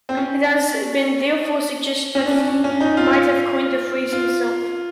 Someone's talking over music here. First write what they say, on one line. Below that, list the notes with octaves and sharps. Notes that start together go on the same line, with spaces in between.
It has been therefore suggested that he might have coined the phrase himself.
C4
C#4
C#4
D4
C#4
C#4
C#4
D#4
F4
F4